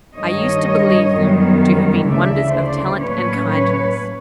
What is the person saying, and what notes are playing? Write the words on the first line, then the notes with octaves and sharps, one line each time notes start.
I used to believe them to have been wonders of talent and kindness.
G2 D#3 G3 C#5 D#5
F#2 D#3 G3 B3
D2 C#3 E3 A3 D5 E5
C5 D5
A2 F#3 A#3 C#4 B4 C#5
B4 C#5